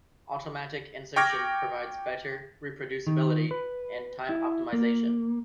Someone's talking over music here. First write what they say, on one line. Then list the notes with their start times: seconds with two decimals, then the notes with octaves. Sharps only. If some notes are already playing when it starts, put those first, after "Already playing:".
Automatic insertion provides better reproducibility and time-optimization.
1.16 G5 C#6 D6 F6 G#6 A#6
3.07 D#3
3.51 B4
4.29 E4
4.73 A#3